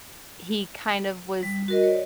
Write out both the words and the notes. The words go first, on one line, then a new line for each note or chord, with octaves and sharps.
he kind of was
G3
F#4 A#4 D#5
C#5 D5